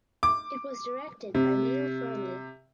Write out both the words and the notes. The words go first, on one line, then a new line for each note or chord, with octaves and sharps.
It was directed by Neill Fearnley.
D6
C3